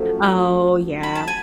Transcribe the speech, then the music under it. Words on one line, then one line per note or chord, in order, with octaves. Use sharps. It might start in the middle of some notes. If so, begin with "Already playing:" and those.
Oh, yeah.
Already playing: F#2 F3 A3
B5
A5
G#5